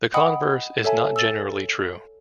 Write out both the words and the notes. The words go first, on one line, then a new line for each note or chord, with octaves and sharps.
The converse is not generally true.
D#5 F#5 G5 B5 D#6
A4 C#5 E5 G#5 A5
E6 A6